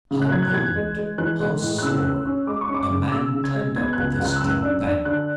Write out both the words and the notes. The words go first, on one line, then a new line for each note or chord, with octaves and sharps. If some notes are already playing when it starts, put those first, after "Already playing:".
How old, how sore a man climbed up the steep bank!
C#3
F#6
F#3 G#6
F#6
E3 G#6
G#3
G#3
E3 F#6
G#3
A2
F#6
C#3 E6
C#4
C#4
G#3 D6
C#6
C#4
D6
C#3
D6
C#3 E6
C#3
G#6
G#3
B3 G#6
C#2 F#6
C#2
F#6
E6
F#2 F#6
D4
D4
D3 F#6